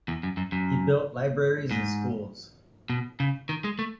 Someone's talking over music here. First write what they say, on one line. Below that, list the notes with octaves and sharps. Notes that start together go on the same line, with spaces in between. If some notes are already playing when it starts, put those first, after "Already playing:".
He built libraries and schools.
E2
F#2
F#2
F#2
G#2
B2
C#3
D#3
G#3
A3